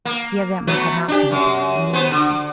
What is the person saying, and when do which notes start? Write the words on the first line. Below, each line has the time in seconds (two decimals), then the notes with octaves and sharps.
"He evidently had not seen Thorn, and knew nothing."
0.05 A#3
0.67 F#3 A3 B3
1.08 D4 G4
1.31 F#2
1.93 B3 C5
2.11 D3